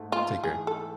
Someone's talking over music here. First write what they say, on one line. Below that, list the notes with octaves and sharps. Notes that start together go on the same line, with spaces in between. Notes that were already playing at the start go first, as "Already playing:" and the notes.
Take care.
Already playing: G#2 A3
A3 F4
E3 G#4
A4